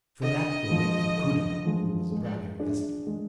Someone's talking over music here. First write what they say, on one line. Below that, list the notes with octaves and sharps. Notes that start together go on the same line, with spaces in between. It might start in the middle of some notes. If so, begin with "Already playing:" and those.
For that we'll wait for Kudeyarov who was brought here yesterday.
D3 D#5
F3 G#3
D3
F3 G#3
G#3
D4 G#4
G#3